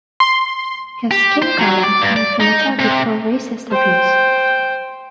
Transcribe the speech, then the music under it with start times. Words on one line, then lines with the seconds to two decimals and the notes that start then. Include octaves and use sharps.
His skin color made him a target for racist abuse.
0.20 C6
1.11 G4
1.42 C5
1.59 F#3
1.83 D5
2.02 G2
2.16 D5
2.41 D#4
2.79 C3
3.70 C5 G5